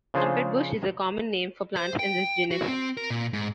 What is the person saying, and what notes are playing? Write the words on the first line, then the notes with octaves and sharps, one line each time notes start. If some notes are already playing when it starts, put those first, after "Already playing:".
Trumpetbush is a common name for plants in this genus.
C#3 F3 D4 F4 G#4 C5
C5
G5
F#4
C4
A#4
A#2
G#2